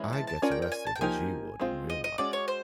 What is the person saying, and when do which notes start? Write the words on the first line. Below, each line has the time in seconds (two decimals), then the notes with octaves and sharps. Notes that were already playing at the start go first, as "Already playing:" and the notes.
I get arrested as you would in real life.
Already playing: E3 G#3 C#4 E4
0.13 A5
0.27 A5
0.42 C#4 F4 A#4 D5 G#5
0.51 G5
0.62 G5
0.72 G#5
0.87 A5
0.96 G5
1.01 F3 A#3 D#4 G4 A#4 G#5
1.60 G#3 C4 F4
1.90 D#5
2.04 D#5
2.18 G#3 C#4 F#4 D5
2.33 C#5
2.48 C5